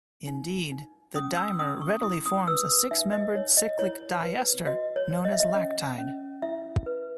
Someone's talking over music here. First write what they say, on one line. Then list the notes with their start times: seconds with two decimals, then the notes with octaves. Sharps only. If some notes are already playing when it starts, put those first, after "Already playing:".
Indeed, the dimer readily forms a six-membered cyclic diester known as lactide.
0.27 D#4
0.72 D#4
1.15 C#4 D#6
1.37 E6
1.59 C#4 D#6
1.81 C#6
2.03 E4 D#6
2.26 D#6
2.47 B4 E6
2.91 D#4 E5
3.13 D#5
3.35 D#4 C#5
3.57 D#5
3.79 E4 C#5
4.23 B4
4.67 F#4 D#5
4.96 C#5
5.11 C#5
5.25 D#5
5.33 E5
5.40 D#5
5.54 C#4 D#5
5.98 C#4
6.42 E4 E5
6.86 B4